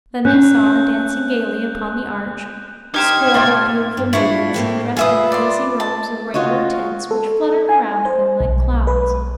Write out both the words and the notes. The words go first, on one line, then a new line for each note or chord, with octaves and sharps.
Then they saw, dancing gaily upon the arch, a score of beautiful maidens, dressed in fleecy robes of rainbow tints which fluttered around them like clouds.
C#4 F#6 G6
D#4 G4 C5 F6 G#6
A#2 A3 G5
G2
D4 E4 F4 C#6
A2 A#3 C4
F4 G#4 B4 E5 D#6
D5 C6
A5
F4 F#4 C#5 D#5
A4
G#5
C5
B1
B4